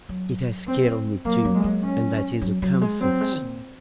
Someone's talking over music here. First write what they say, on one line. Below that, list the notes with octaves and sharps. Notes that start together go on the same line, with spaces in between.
"It has killed me too, and that is a comfort."
F#3
C4
F#3 A#3
F#3
G#3
F#3
C#4
F#3
F#3
G#3
F#3 C4
G#3
A#2